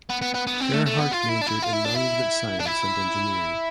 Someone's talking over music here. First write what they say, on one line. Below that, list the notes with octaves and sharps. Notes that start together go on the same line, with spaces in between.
Gerhart majored in Management Science and Engineering.
B3
B3
B3
B3
C4
A3
A3
B3
F4
E4
D4
E4
F4
E4
D4
E4
D4
E4